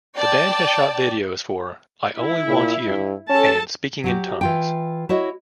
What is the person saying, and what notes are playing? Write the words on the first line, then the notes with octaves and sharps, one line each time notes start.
The band has shot videos for "I Only Want You" and "Speaking in Tongues".
D5 G5 A5
E4
A#2
G2
C#4 A4 A5
F#3 F#4 G4
E3 F4 G5
E4 F#4 C#5 D#5